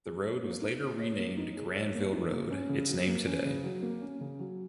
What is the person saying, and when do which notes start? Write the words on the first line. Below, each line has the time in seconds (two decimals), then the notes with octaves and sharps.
The road was later renamed Granville Road, its name today.
0.06 G#4
0.24 C#5
0.43 A#3
0.62 D#4
0.81 G#4
0.99 C#5
1.19 A#3
1.37 D#4
1.57 G#4
1.75 C#5
1.94 A#3
2.13 D#4
2.32 A#3
2.51 C#4
2.69 C#3
2.88 F#3
3.07 A#3
3.26 C#4
3.45 C#3
3.64 F#3
3.82 A#3
4.01 C#4
4.21 C#3
4.39 F#3